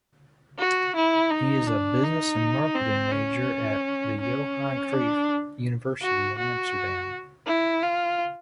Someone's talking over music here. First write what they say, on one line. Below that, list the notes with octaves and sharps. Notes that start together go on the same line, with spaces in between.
He is a Business and Marketing major at the Johan Cruyff University in Amsterdam.
F#4
E4
D#4
D4
D#4
C4
C#4
C#4
D4
F#4
F#4
E4
F4